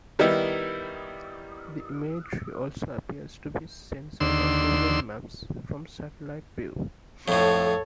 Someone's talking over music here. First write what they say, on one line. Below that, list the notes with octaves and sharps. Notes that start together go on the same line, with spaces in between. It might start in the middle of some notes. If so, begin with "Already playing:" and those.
The imagery also appears to be censored on google maps from satellite view.
D#3 G3 B3 D#4 E4
D#2 D3 C6 E6
F2 A2 A4 C#5